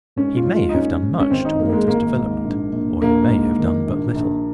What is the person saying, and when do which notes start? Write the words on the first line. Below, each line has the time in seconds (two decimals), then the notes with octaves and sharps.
He may have done much toward its development or he may have done but little.
0.16 G#2 C#4
0.36 F4
0.45 G#2
0.55 F4
0.69 D#4
0.74 G#2 C#4
1.03 G#2
1.20 C#4
1.31 G#1 C4
1.45 D#4
1.59 G#2 A#3
1.70 A#3
1.73 G#3
1.87 G#1 A#3
2.15 G#2
2.44 A#1
2.72 A#1
3.02 A#1 A#3
3.29 G#2
3.58 D#3
3.87 A#1
4.15 A#1